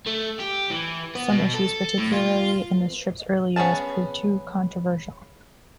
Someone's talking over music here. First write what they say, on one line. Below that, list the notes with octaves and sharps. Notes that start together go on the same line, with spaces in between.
Some issues, particularly in the strip's early years, proved too controversial.
A3
G4
E3
B3
B2
A4
A2
F4
B3 C#4 E4 G#4 A5